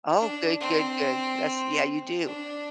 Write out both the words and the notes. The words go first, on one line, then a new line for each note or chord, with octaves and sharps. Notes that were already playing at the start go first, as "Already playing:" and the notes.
Oh, good, good, good. That's yeah, you do.
D4
C4
D4